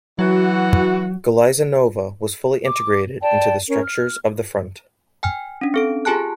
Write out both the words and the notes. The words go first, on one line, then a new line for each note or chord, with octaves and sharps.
Galiza Nova was fully integrated into the structures of the front.
E3 F#3 F#4
D6
D5 G5 A5
C#4 A#4
F6
G5 G#5 F6
C#4 D4
C4 A4 D7
F4 G4 G#4 G#5 A5 F#6